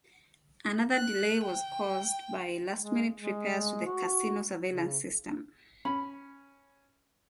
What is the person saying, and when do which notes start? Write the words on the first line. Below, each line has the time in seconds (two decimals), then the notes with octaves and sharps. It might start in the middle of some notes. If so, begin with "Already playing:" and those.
Another delay was caused by last-minute repairs to the casino surveillance system.
0.93 F#6
1.44 G5
2.78 G#3
3.20 G#3
3.86 F#4
4.69 C#3
5.85 C#4 B5